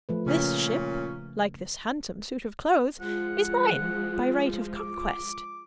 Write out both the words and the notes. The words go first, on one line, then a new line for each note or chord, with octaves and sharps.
This ship, like this handsome suit of clothes, is mine by right of conquest.
F3 A3 B4
A#2 C#3 C#4
F3 G#3 F4 F#5
D6